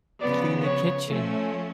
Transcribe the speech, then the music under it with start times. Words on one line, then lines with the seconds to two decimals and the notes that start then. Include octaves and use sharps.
Clean the kitchen.
0.20 C#3 F3 B3 D5
0.65 C#5
1.08 F3 A3 C#4